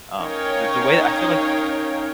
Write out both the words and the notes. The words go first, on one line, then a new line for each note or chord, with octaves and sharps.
um, the the way I feel like,
C#4 D#4 A#4 C#5 F5 G5